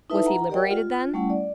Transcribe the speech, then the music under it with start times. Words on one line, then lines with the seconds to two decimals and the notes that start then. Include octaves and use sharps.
"Was he liberated, then?"
0.10 D#4 E4 A4 B4 E5 A5
0.26 F#5 A#5
0.50 G4 A#4 D5 D#5 F#5 G5
0.71 F4
1.14 G3 A3 C#4 E4 F#5
1.30 D5